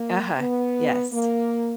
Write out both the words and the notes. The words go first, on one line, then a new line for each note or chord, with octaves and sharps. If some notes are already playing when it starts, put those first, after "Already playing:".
Uh-huh, yes.
Already playing: A#3
B3
A#3